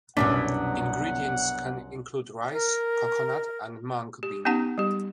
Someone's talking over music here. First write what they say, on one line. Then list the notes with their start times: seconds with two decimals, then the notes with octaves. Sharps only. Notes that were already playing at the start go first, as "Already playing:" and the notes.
Ingredients can include rice, coconut and mung bean.
0.17 C2 F#2 B2 F#3 C#4 D4 F#5 B6
2.53 A#4
4.23 G4
4.45 B3 C#4 D#4 G4 F#5 A5
4.78 G3 G4